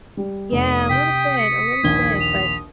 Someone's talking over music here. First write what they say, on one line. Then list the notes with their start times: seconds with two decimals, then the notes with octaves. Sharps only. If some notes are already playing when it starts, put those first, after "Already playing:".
Yeah, a little bit, a little bit, but but
0.17 G3
0.52 F1 D#6
0.89 C3 G5 B6
1.38 C#7
1.83 A#1 D#2 G#6 G7
2.20 F7